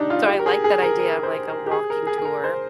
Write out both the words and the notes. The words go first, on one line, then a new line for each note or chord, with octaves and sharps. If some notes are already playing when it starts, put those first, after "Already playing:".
So I like that idea of, like, a walking tour
Already playing: D4 D#4 G4
F4
G4
A#4
G#4
G#4
A#4
A#4
C5
A#4
G4
G#4
A#4
G#4
G#4
A#4
C5